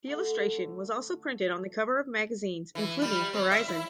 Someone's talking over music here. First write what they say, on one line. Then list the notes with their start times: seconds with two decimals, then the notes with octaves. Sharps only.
The illustration was also printed on the cover of magazines, including "Horizon".
0.07 D3 A3
2.75 E3
3.02 G3
3.33 C4
3.52 E5
3.68 E4